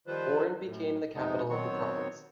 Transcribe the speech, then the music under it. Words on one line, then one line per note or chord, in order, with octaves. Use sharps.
Oran became the capital of the province.
D#3 F3 G3 F4 B4 C5
F#2 A2
F2 C3 G#3 B3 D#4
D#3 F#3 B3 C4 C#5